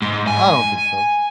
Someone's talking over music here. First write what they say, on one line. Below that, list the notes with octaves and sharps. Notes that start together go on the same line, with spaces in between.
I don't think so,
G#2
G#5